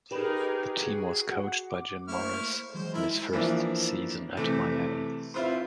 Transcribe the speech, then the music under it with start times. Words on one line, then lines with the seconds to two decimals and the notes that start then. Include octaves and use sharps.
The team was coached by Jim Morris in his first season at Miami.
0.11 D#4 G4 G#4 A#4 B4
0.73 F#4 G#4
1.30 F#4 F#5
1.70 D6
2.08 A3 A#3 E4 C5 C#6 F6
2.74 E3 F#3 G#3 C5
2.94 E4 A4 A#4 B5
3.33 E3 F3 A#3 D4 E4
4.37 C3 E3 A3
5.34 C4 E4 F4 B4 C5